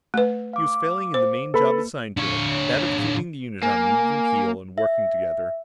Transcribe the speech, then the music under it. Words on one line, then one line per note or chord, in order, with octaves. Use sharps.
He was failing in the main job assigned to him, that of keeping the unit on an even keel and working together.
A3 B4
F5 D6
C5
A#3 A4 B4 B5
D3 C#5
A#3 G#5
E5